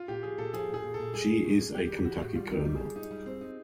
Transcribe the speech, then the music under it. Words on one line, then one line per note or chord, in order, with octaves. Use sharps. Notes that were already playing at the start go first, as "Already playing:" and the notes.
She is a Kentucky Colonel.
Already playing: F4
A#2 G4
F3 G#4
A#2 A4
F3 G#4
A#2 G#4
A#2
A4
A#2
G3 G#4
G3
A2
G3
G3 G4
E3
E3 F#4
A2
G3 F4
D#4 G4
G3
G#4
G3
D#4
G3
C4
D#4